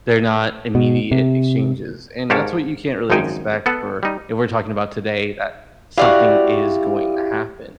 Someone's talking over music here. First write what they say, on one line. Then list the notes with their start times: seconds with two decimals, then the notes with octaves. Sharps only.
they're not immediate exchanges, and that's what you can't really expect for if we're talking about today that something is going to happen.
0.75 B2
1.12 C3
2.30 G#2 G4 A#4 C#5 F5 A5
3.10 G#1 F#2 F3 D#4 G5 G#5
3.66 B3 A4 F#5
4.03 G3 D#4
5.98 E4 F#4 G4 D5 E5 F5